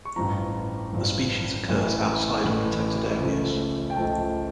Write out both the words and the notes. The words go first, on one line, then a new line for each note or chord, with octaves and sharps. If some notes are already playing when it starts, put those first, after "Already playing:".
The species occurs outside of protected areas.
C#6
A1 G2 F3 A#5
A1 G2 F3
A1 A2 E3 A3
A1 A2 E3 A3
C#2 C#3 F3 A3
G5
C#2 C#3 F3 A3 A5